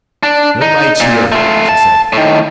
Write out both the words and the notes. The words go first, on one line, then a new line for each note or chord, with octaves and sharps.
"No lights here!" she said.
D4
D#4
A#2
A3 F4
A5
A2 D#3